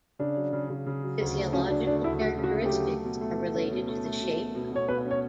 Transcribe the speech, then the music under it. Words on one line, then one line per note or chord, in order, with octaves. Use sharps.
Physiological characteristics are related to the shape of the body.
C#3 D4
F#3
C#3
C#3
C#3
F#3
D2
A3
F#3 C#4
F#3 D4
A3 D4
D2 E4
A3 F#4
C#3
F#4
A3
G4
F#3
A3
B2
A3
B2
C#4 A4
B2
A3
A3
B2
B2
B2
B2 C#5
B2 B4
C#4
C#5